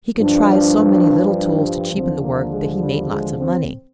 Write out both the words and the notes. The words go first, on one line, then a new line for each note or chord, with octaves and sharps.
He contrived so many little tools to cheapen the work that he made lots of money.
G2 F3 D4
D#2 D3 F3 C4
A#3
G#3
G3
G#3
C4